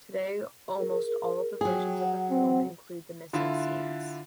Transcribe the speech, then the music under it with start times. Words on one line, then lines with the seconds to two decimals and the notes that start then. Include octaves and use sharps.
Today, almost all of the versions of the film include the missing scenes.
0.77 G#4 A#4
1.61 F#3 G#4 G5
2.00 F#5
2.31 C4
3.33 D3 E4 F4 E5